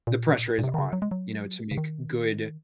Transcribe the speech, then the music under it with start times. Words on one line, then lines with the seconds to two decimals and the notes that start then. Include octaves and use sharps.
the pressure is on, you know, to make good
0.07 A#2
0.59 A#2
0.64 C3
0.74 D#3
0.78 C#3
0.93 F#3
1.02 G#3
1.11 F#3
1.71 C#3
1.77 D#3